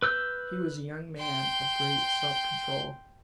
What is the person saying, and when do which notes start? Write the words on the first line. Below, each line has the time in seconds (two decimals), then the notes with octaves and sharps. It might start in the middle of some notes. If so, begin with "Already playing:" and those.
He was a young man of great self-control.
0.02 B4 E6 G6
1.18 G5 C6